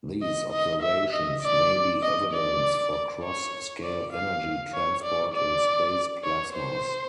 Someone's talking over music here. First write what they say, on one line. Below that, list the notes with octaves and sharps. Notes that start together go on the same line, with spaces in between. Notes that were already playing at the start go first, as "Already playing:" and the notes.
These observations may be evidence for cross-scale energy transport in space plasmas.
D#5
D#5
E5
D#5
D5
D#5
D5
C#5
D5
F5
C#5
D5
D5
C#5
C5